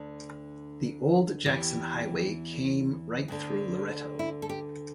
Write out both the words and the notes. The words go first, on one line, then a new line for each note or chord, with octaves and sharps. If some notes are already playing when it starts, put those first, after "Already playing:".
The Old Jackson Highway came right through Loretto.
Already playing: D2 D3
E2 E3 G4
D2 D3
E4
A4
G4